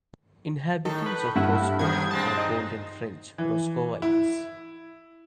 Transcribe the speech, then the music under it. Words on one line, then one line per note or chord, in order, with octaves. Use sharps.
Inhabitants of Roscoff are called in French "Roscovites".
A2 D#3 A4
B4
G2 E4 F#5
D#2 C3 D#3 G#6
A#2 G#3 C4 A5
D#4
E3
E4